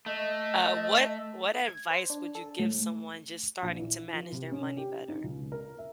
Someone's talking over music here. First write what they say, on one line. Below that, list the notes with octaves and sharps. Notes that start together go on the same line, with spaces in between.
Uh, what what advice would you give someone just starting to manage their money better?
A3 D#5
G#6
C5
D4
A4
A2
A#1
E3
F3
C3
C#4
G4
D#4
C#2
A#4
E5